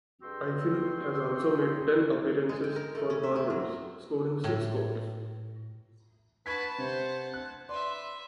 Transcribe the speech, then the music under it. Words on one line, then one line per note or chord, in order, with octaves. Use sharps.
Ifill has also made ten appearances for Barbados, scoring six goals.
G2 F#4 G#4 G5 C6 E6
G#3
G5
A#4
A3
C#4
E5
C4
F#3
A2
B4 F#5 A5 C#6 G#6 B6
C3 C5
F#6
B4 D5 E5 C6